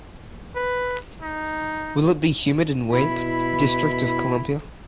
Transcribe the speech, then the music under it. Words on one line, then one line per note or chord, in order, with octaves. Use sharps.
Will it be humid in Weippe District Of Columbia?
B4
D#4
B2 E4 B5